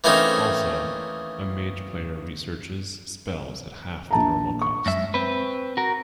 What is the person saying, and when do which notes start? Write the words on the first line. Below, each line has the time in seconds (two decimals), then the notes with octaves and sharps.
Also, a mage player researches spells at half the normal cost.
0.04 E3 A3 A#3 C4 C#4 D#4
4.11 A#1 A5 A#5
4.62 C#6
4.86 F#2 G#3 E5
5.14 C4 B4
5.77 F#4 A#4